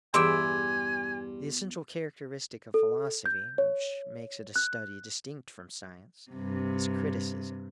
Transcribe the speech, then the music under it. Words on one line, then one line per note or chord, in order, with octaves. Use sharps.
The essential characteristic of philosophy, which makes it a study distinct from science, is criticism.
E2 G2 E5 G5 G#5 C6 D6
A4
G6
C#5
F#6
G2 C3